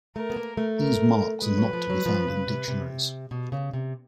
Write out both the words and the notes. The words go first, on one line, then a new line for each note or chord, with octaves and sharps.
These marks are not to be found in dictionaries.
A3 A#4
B3
A#3
A3
A#4
G#3 B4
F#3
F3
F#3
F3
C#3
C3
C3
B2
C#3
C3